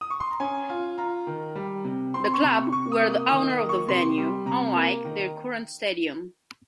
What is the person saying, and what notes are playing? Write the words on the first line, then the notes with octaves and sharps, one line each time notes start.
The club were the owner of the venue, unlike their current stadium.
D#6
C#6
C6
A#5
C#4 G#5
F4
F4 A#5
D#3
G3
C3
C4 C6
C6
C#6
C3
C#6
C3 C#6
D#6
A#3
D#6
D#3 D#6
D#6
A#3
C#6
C3 C6
G3
C3 A#5
A#3
D#3